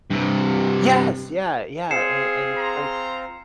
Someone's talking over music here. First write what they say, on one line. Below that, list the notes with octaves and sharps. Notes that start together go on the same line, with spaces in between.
Yes! Yeah, yeah and and it's like
G2 C3
C4 F4 G#4 C7 C#7 E7
A#5 C6